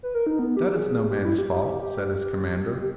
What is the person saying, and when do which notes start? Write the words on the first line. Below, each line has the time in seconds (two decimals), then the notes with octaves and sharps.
"That is no man's fault," said his commander.
0.03 B4
0.14 A#4
0.27 D#4
0.39 B3
0.57 G4
0.74 G#4
1.11 G4
1.25 E4
1.38 G4
1.82 G4
2.81 G4